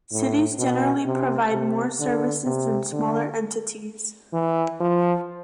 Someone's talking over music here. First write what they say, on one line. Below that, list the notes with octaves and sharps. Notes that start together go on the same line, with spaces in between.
Cities generally provide more services than smaller entities.
A2
B2
C3
C3
D3
C3
D3
E3
F3